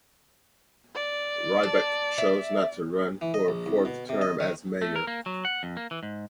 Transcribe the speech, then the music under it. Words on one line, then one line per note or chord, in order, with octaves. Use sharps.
Rybak chose not to run for a fourth term as mayor.
D5
A5
E5
E3
D#5
A#1
C2
B2
C3
D#5
D#3
A3
A#4
A#3
F#3
F#5
F2
A#3
E3
G#2